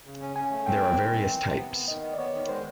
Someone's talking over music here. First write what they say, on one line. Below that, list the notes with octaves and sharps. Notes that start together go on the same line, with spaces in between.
There are various types.
C#3
C#4
C#4 G#5
A3
C4 G5
G3
D#3
C4
E3
C3
B3
B3
D#3 D#5
B3
D5
B3 C#5
D#3
G#3 C5